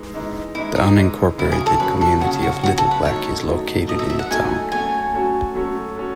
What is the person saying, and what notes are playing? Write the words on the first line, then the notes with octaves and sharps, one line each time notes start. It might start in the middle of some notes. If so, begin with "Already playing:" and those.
The unincorporated community of Little Black is located in the town.
Already playing: E3 G#3 D#4
E3 G#3 D#4
E3 G#3 D#4 E4
D#4
E3 G#3 D#4
C#3 F#3 C#4 E4
G#4
A4
C#3 F#3 C#4 B4
A4
C#3 F#3 C#4 F#4
F#4
C#3 F#3 C#4 F#4
A4
B4
F#3 A3 D#4 A4 C#5
F#3 A3 D#4 A4
F#3 A3 D#4 A4 D#5
E5
E5
F#5
F#3 A3 D#4 A4 G#5
F#3 A3 C#4 F#4 A4 G#5
F#3 A3 C#4 F#4 A4
F#3 A3 C#4 F#4 A4
C#4 F#4 A4